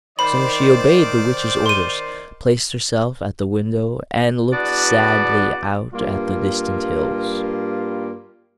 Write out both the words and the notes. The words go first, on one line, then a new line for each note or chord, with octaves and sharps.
So she obeyed the Witch's orders, placed herself at the window, and looked sadly out at the distant hills.
D#3 C5 D5 B5
C6 D#7
E2 B3 D4 F#4 D5
G2 G3 A#3 F4